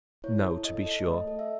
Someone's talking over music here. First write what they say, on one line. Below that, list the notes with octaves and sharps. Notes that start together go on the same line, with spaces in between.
No, to be sure!
E4 C#5
A4
A4 D#5
A4 D#5
A3 D#5
A4
E5